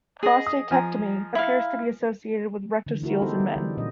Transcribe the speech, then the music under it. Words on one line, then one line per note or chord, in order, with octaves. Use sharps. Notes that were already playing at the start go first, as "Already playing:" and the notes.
Prostatectomy appears to be associated with rectoceles in men.
G#4 D#5
D#6
F3 G#5 A#5
E4 F5
D3 E3
A3 E4 F#4 A#4
B3 D#4 G4 A4 C5
G3
D3 E3 F#3
A#2 C#4 D#5